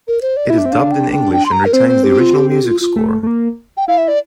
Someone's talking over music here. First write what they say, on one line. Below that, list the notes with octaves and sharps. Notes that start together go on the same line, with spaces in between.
It is dubbed in English and retains the original music score.
A#4
C5
D5
E4 E5
D4
C4
D4 F5
G5
G5
G5
C6
A#5
A#4
C4 C5
C5
G4
F4
G4
G4
F4
F4
A3
A3
A#3
G5
E4 F5
E5
D5